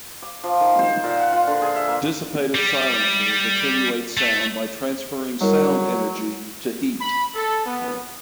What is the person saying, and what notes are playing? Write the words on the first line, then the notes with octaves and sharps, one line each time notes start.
Dissipative silencers attenuate sound by transferring sound energy to heat.
D6
F3
D#3
C5
A#2
F#5
F4
D3
G#4
E5
A#3
G3
A3
F#3 G3 E4 A#4
B5
A4
B3